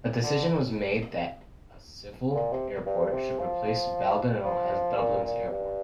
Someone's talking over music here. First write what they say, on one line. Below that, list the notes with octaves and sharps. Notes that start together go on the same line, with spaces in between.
A decision was made that a civil airport should replace Baldonnel as Dublin's airport.
D3
A#2
C3
G2
C3
F3
F3
A#2
A#2
G2